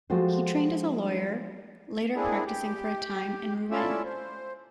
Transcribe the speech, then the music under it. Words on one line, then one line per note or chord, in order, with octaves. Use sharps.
He trained as a lawyer, later practising for a time in Rouen.
F3 G#3 A3 F#4 G4 C5
A#3 C4 D4 E4 G#4
G4
C#4 E4 F4 A4 D5 E5
C5